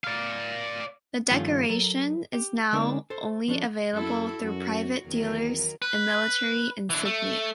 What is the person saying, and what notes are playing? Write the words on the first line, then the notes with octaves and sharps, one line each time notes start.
The decoration is now only available through private dealers in military insignia.
D5 F5
G2 D#3 F3 A3 C#4 F4
F#3 A4 A#4
G4
D3 G#3 C4 D4 D#4 A#4
A4 C5
F3 C#4 D4 A4
F#2 E4 F#4 A4
F#2 F#4
E2 D#3 F#3 A#4
B4
E3 D4
A3